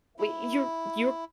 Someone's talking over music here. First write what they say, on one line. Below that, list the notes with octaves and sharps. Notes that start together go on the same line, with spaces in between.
wait, "You're you're
E4